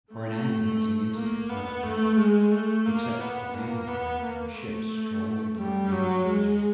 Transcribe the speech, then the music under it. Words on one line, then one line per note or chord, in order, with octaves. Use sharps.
For an agonizing instant nothing happened, except that the landing party from the ship strolled into my range of vision.
A3
A#3
B3
A3
G#3
A3
A#3
B3
A#3
B3
A#3
A3
G3
F#3
G#3